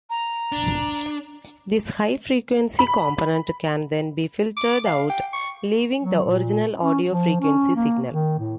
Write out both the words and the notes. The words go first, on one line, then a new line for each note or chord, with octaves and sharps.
This high-frequency component can then be filtered out, leaving the original audio frequency signal.
A#5
D4
B5
D6
F5
G5
C#6
F#3
A#2
C#4
F3
C#4
A#3
D#3
A2